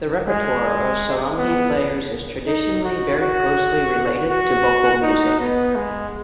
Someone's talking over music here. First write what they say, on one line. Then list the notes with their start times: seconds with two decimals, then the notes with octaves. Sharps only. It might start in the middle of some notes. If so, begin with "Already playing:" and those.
The repertoire of "sarangi" players is traditionally very closely related to vocal music.
0.28 G#3
1.37 B3
2.47 D#4
2.83 F#4
3.20 F#4
4.30 F#4
5.03 D#4
5.40 B3
5.76 G#3